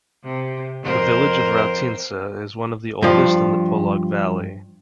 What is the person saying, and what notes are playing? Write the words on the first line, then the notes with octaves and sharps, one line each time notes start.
The village of Raotince is one of the oldest in the Polog Valley.
C3
F2 A#4 C5
G2 F3